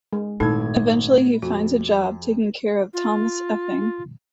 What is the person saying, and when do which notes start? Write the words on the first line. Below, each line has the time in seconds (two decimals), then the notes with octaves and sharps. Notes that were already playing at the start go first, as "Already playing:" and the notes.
Eventually he finds a job taking care of Thomas Effing.
0.13 G#3
0.40 G#1 A#2 A3 D#4 E4 A4 G#6
1.42 F2 F#4
2.93 F4